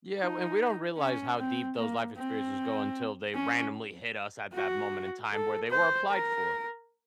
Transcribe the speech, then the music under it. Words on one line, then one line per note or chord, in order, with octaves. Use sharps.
Yeah, and w we don't realize how deep those life experiences go until they randomly hit us at that moment in time where they were applied for.
D#4
C#4
C4
A#3
C4
C#4
F#4
A4
C5
A#4